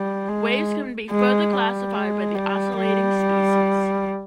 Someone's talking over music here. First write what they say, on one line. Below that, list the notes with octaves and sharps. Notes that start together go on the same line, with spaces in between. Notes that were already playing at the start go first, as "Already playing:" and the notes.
Waves can be further classified by the oscillating species.
Already playing: G3
G#3
G#3
G3
G#3
G3
G3